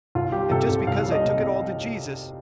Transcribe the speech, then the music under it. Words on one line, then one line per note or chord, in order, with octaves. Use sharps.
And just because I took it all to Jesus.
C2 F4
G3 G4
C3 A4
C2
C2 F5
G3
D#5
C3